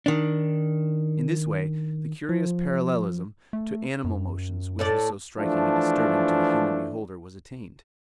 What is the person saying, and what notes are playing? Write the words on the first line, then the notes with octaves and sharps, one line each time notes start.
In this way the curious parallelism to animal motions, which was so striking and disturbing to the human beholder, was attained.
D#3 D4
F3
A3
F#2
A2 A4 D5
E3 F3 A3 D4